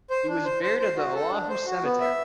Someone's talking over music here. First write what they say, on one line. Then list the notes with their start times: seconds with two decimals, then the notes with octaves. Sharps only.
He was buried at the Oahu Cemetery.
0.10 C5
0.28 D4
0.45 C5
0.63 C5
0.80 C5
0.96 F#4
1.15 A4
1.31 D4
1.49 C5
1.66 F#4
1.83 B3
2.00 E5